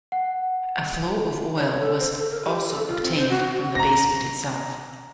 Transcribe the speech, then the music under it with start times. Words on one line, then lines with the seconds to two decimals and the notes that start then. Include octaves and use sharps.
A flow of oil was also obtained from the basement itself.
0.12 F#5
1.56 C#5
1.79 A4
1.99 C5
2.13 A4
2.30 A#4
2.44 G4
2.69 A4
2.87 F4
3.02 C4
3.16 C5
3.29 F#4
3.75 A#5 A#6